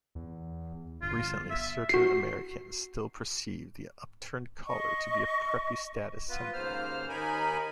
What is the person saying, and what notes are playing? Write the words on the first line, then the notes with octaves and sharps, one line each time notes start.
Recently, certain Americans still perceive the upturned collar to be a "preppy" status symbol.
E2
G1 F4
E5
F#4 C7
D#5 C#6
B3 F4 B4
D#2 G#2 C#3 A#3 C5 F6
D#2 D#4 A#4 G#5 B5